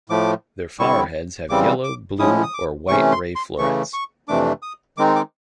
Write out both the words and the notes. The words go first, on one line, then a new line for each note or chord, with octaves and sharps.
Their flower heads have yellow, blue, or white ray florets.
A2 F3 A3 D6
D3 G3 C4 E4 C#6
C#3 E3 G3 C4 D6
D6
A2 F3 G#3 C#4 E4 D#6
D#6
D6
C3 E3 A3 C#4 C#6
C6
C6
C#3 E3 A3 C#6
C#6
F2 C3 E3 A3 D4 D6
D#6
D#3 G#3 C4 D#4 D6
D6